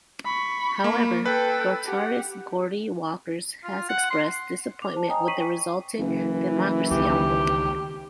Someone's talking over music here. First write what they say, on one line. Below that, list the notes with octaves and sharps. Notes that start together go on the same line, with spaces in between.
However, guitarist Geordie Walker has expressed disappointment with the resulting "Democracy" album.
B5 C#6
A#3
A4 B4 G5
G4 F#5
F4
F#5
C6
D6 F7
C5 A5
C#5 D#5 G5 G#5 A#5 D#6
G5 C#6 B6 C7 D#7 F#7
F#1 E3
C#2 D#3 G4